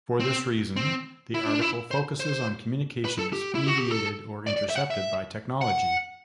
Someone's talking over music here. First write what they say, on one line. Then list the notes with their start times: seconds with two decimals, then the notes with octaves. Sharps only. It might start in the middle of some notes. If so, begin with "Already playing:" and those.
For this reason, this article focusses on communications mediated or intercepted by technology.
0.20 C4
0.76 C4
1.34 E4
1.46 D4
1.60 E4
1.91 C5
2.20 C5
3.05 B4
3.19 A4
3.33 G4
3.55 E4
3.67 F#4
3.78 G4
3.90 A4
4.47 D5
4.57 D5
4.70 E5
4.75 F#5
4.90 E5
5.61 F#5